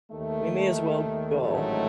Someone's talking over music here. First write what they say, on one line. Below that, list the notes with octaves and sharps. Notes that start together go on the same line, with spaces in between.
we may as well go,"
D#2 D#3 A3
A1 G#2 D#3 F#3 A3